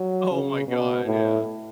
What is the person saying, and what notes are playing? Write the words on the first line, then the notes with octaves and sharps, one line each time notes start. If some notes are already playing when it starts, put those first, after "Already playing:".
Oh my god. Yeah.
Already playing: F#3
C#3
B2
A2